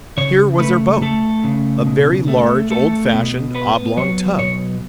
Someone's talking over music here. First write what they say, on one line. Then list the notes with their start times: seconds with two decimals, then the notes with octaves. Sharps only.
Here was her boat! a very large, old-fashioned, oblong tub.
0.17 C#3 C#5
0.60 A3 B4
1.02 A3 A4
1.44 C#3
1.86 B2
2.28 A3
2.71 A3 A4
3.13 B2
3.55 B3 B4
3.97 F#3 C#5
4.39 B2 C#5